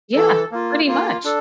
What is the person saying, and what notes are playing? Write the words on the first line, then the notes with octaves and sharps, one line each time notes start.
Yeah, pretty much.
E3 A4
A#3 F4
A#3 F4
D4 A4